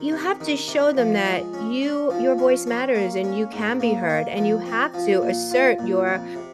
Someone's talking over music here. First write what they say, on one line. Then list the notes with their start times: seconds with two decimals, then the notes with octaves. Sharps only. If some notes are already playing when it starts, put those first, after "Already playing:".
you have to show them that you your voice matters, and you can be heard, and you have to assert your
Already playing: D#3
0.12 C3
0.40 D#3
0.68 C3
0.97 F3
1.25 G#3
1.53 C#4
1.82 C#4
2.10 F3
2.38 C#4
2.67 C#4
2.95 A#3
3.24 C#4
3.53 G#2
3.80 A#3
4.09 A#3
4.37 F3
4.65 C4
4.94 F3
5.22 A#2
5.51 F4
5.79 A#2
6.07 F2
6.35 C3